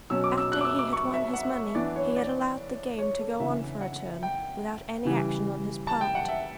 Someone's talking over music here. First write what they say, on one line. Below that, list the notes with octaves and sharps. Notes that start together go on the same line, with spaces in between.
After he had won his money, he had allowed the game to go on for a turn without any action on his part.
B2 F#3 C#4 E6
D6
E6
F#6
D6
E6
D6
C#6
E5
F#5
E3 B3 D4 D5
C#5
D5
C#5
A4
C#3 E3 B3 D4 E5
F#5
G5
C#3 E3 G3
A5
G5
F#5
E5